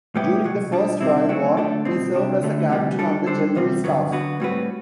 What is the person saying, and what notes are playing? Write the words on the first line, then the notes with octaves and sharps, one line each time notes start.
During the First World War, he served as a captain on the General Staff.
A2 G3 B3 E4 G4
C2 B2 F#3
B2 G3 D4
C3 G3 C4 E4
F#3 A3 C4
D2 D3 A3 D4 A4
B2 G3 C4
C3 G3 D4
D2 D3 A3
D2 C3 E3 G3
G3 D4 A4
G3 D4 A4 C5
E2 C3 G3 C4
G2 D3 F#3 B3
D3 F#3 B3 F#4 B4
A2 G3 C4 F#4 B4